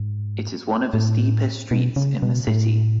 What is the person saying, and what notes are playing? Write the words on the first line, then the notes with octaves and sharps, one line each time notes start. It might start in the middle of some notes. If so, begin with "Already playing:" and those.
It is one of the steepest streets in the city.
Already playing: G#2
A2
B2
C#3
B2
A2